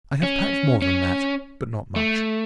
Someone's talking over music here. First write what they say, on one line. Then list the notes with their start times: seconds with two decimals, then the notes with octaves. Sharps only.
I have packed more than that, but not much.
0.23 C#4
0.82 C#4
1.96 A3